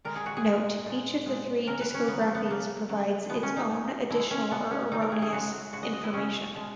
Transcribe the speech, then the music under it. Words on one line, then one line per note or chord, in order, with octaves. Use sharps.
Note: each of the three discographies provides its own additional or erroneous information.
A#2 G#3 A#4
G#4
F#4
G#4
A#2 G#3
A#2 G#3
A#2 G#3
C#3 F#3 A#4
B4
C#4
C#3 F#3 B3
A#3
B3
C#3 F#3 A#3
C#3 F#3
B2 G#3 B3
C#4
D#4
B2 G#3
B2 G#3 E4
C#4
B2 G#3 B3
C#4
C#3 G#3 D#4
A#4
G#4
G#4
C#3 G#3 F#4
C#3 G#3 F#4
D#5
D#5
E4
C#3 G#3 C#4
B2 G#3